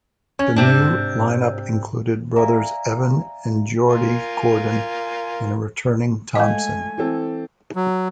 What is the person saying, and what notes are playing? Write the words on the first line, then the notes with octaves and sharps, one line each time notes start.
The new lineup included brothers Evan and Geordie Gordon, and a returning Thompson.
C#4 C#5
G#2 C3 C4 D4
D5 E5 F5 G#5 A#5
F4 A#4 G#5
G#3 A3 D#5 G#5
E3 C4 A4
F#3